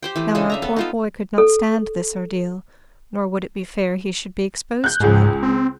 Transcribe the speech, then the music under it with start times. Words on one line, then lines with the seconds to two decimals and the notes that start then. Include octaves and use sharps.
Now, our poor boy could not stand this ordeal, nor would it be fair he should be exposed to it.
0.03 G4 C5 G5
0.16 E3 A3
0.35 C#3 D4 A4 D#5
0.50 C#3 E5 A#5
0.62 B3 A4
0.76 D#4 F4 A4
1.38 A4
4.84 F#6 G6
5.00 C#2 G#2 G#4
5.43 C4